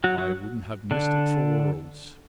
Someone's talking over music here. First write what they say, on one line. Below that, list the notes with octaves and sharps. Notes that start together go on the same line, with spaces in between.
"I wouldn't have missed it for worlds."
F#3 F#4
F#3 F#4
D3 D4